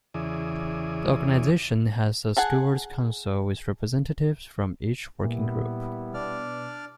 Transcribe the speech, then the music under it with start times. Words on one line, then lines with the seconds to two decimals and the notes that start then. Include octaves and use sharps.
The organization has a stewards' council with representatives from each working group.
0.14 E2 C#3 E3 G#4 D5 D#6
2.37 G#4 F#5 G#5 A5
5.24 A#2 G3 B3 E4
6.14 B2 D4 D5 F6